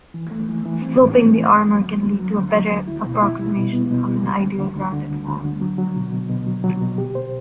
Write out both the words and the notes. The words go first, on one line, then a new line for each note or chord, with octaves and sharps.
Sloping the armour can lead to a better approximation of an ideal rounded form.
E3
A3
E3
E3
C4
A2
A3
E3
D2
F#3
D2
D2
F#3
D3
F#3
D2
E4
B2
E4
G3
B2
B3
B2
G3
D2
D3
D3
D2
D3
D2
D2
D3
F#3
F#3
B2
B2
B2
F#3
F#3
B2
G4
C5